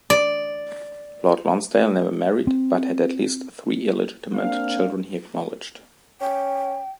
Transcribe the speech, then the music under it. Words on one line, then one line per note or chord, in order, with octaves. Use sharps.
Lord Lonsdale never married, but had at least three illegitimate children he acknowledged.
D5
C4
A#3 C4 D4 F5
C#4 G5